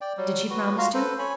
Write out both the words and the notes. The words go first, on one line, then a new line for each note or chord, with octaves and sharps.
"Did she promise to?"
D5 G5
F#3 G3
F#4 B4
F4 F#4 F5 A#5
A4 B4 C5
C#5 G#5 B5